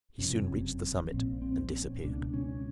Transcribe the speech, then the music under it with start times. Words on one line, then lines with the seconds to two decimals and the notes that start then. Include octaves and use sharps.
He soon reached the summit, and disappeared.
0.19 F#1 F2 C3 C#4
1.10 A#1 A#2 C4
1.42 C4
1.73 C#4
2.03 C#2 B2 D4
2.33 C#4